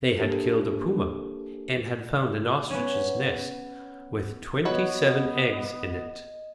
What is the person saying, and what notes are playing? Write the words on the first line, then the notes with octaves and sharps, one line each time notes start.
They had killed a puma, and had found an ostrich's nest with twenty-seven eggs in it.
A#3 D4 G4 A4 A#4 C5
B3 C#4
B3 F#4 B4 C#5 D#5